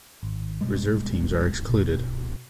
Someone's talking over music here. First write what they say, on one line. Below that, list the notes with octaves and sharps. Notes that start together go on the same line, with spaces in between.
Reserve teams are excluded.
G#1
B2 G3 G#3
B2